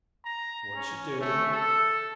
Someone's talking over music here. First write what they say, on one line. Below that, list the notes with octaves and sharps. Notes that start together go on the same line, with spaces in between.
"What you doin'?"
A#5
C#4
A3
A4